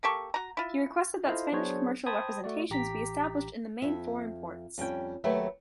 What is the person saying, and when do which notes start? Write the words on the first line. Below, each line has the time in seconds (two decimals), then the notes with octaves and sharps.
He requested that Spanish commercial representations be established in the main foreign ports.
0.03 A#3 G4 A4 C#6
0.34 F#4 A#5
0.57 E4 F4
1.26 E4 F4 A4 C5 D#5 F5
1.52 F#3 B3 D4 G#4 C5 C#5
2.06 C5 G5 A5 B5 D#6 G#6
2.44 A3 F#4 D5
2.70 A1 G4 A#5 D6 B6
3.82 F2 E5
4.78 F2 G3 C#4 G5
5.24 D#2 F#3 A3 G4 B4 E5